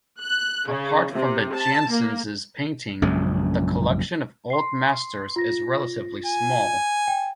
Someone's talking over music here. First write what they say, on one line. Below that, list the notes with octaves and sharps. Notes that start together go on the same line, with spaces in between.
Apart from the Janssens' painting, the collection of Old Masters is relatively small.
F#6
C#3
C3
A5
A#3
A#1 F#2 C#3 G#3
C6 C7
F4 A#6
G#5
G5